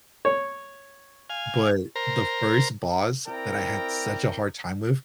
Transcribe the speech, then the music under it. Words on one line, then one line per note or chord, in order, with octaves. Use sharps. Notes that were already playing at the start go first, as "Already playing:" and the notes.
But, the first boss that I had such a hard time with
C#5
F5 G#5
A#4 C5 A#5
C4 E4 A#4 D5 G5 A#5